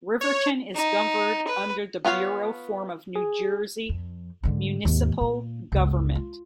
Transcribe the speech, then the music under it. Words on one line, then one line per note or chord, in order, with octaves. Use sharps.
Riverton is governed under the Borough form of New Jersey municipal government.
C#5
D#4
B4
B3 F4 C#5 F5
G#4
F2
G#2 D3
D#2 G#2
A#2
G1 C#2
F4